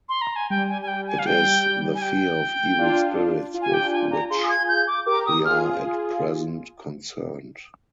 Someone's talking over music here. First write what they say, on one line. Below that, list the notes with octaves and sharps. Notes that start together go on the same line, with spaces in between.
It is the fear of evil spirits with which we are at present concerned.
C6
A#5
G#5
G3 G5
G#5
G#5
G5
G#5
F5
G5
G#5
G5
D4 F4
F4
G#5
G4
G5
D4 F4
G#5
A#5
F4 G#4 C6
G#6
G6
D6
G4 A#4 D6
D#6
F4 G#4 F6